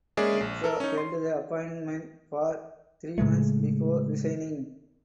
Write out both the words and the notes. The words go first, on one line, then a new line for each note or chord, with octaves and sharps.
Mitra held the appointment for three months before resigning.
G#3 A#3 C#4 G#4 D5 E5
A#1
A4 A#4
C#4 D#4
C6
A2 C#3 G#3 A3